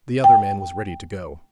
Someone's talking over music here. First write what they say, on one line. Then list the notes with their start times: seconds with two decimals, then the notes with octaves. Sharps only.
The other man was ready to go.
0.24 G5